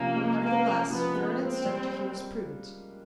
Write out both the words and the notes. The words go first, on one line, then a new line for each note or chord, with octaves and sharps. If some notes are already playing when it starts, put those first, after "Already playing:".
Nevertheless, for an instant, he was prudent.
Already playing: C3 F3 A#3 C#4
G#3
A#3 C#4
C#4
F3 B3
G#3
A#3 C4
G3